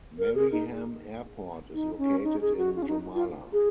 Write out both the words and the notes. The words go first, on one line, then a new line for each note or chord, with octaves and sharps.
Mariehamn Airport is located in Jomala.
A#4
G#4
D#4
D#4
C#4
D#4
G#4
F#4
F4
C#4
D#4
F4
G#4